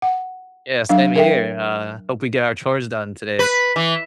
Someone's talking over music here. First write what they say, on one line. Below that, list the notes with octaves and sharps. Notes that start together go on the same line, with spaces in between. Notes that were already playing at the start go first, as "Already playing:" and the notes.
Yeah, same here, uh, hope we get our chores done today.
F#5
F#3 D4 F5
A#4 E5 G5
B4
E3